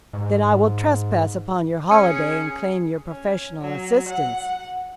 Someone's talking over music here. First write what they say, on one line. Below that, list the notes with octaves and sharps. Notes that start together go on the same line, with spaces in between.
"Then I will trespass upon your holiday and claim your professional assistance."
G#2
C#4 G#4 C#7
C#4
F#3
F#5